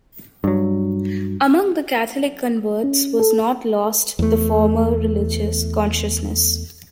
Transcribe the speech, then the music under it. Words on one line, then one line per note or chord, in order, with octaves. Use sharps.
Among the Catholic converts was not lost the former religious consciousness.
G2 F#3
C#4
A4
E2 A3